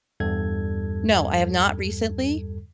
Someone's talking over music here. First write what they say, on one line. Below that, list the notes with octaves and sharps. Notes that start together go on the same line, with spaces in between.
No, I have not recently.
E2 G2 G3 A4 G#6